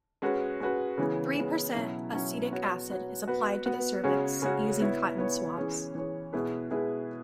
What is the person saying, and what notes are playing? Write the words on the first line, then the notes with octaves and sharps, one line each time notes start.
Three percent acetic acid is applied to the cervix using cotton swabs.
G#3 C#4 F#4 B4
G#3 C#4 F#4 B4
C#3 E3 G#3 B3
C#3 E3 G#3 B3
B2 F#3 C#4 E4
B2 F#3 C#4 E4
B3 F#4 C#5
B3 F#4 C#5
B3 F#4 B4
B3 F#4 B4
C#3 G#3 C#4 F#4
C#3 G#3 C#4 F#4
B3 E4 C#5
B3 E4 C#5
E3 C#4 G#4 C#5
E3 C#4 G#4 C#5
B2 G#3 E4 G#4 B4
B2 G#3 E4 G#4 B4